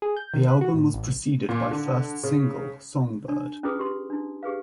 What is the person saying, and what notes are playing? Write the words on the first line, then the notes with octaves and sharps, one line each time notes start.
The album was preceded by first single "Songbird".
G#4
G6
D#3
B4
F#4
A2
A1
A#2
D3
C#3
D4
C#4 E4 F4 G#4 B4 D#6
G4 B4 C6
D4 E4
G4 G#4 B4 F5